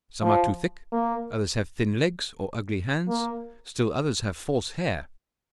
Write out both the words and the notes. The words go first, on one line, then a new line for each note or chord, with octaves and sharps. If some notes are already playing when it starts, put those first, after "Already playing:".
Some are too thick; others have thin legs or ugly hands; still others have false hair.
F3
A#3
A#3